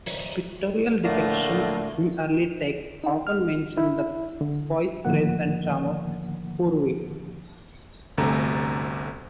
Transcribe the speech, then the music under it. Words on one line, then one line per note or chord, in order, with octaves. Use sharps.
Pictorial depictions in early texts, often mention the poise, grace and charm of Poorvi.
A2 D3 A3 A#3
D#4
F6
E4
D3
A2 D3 D#3 F3 A#3 F#5
G1 D2 C3 A4 A#5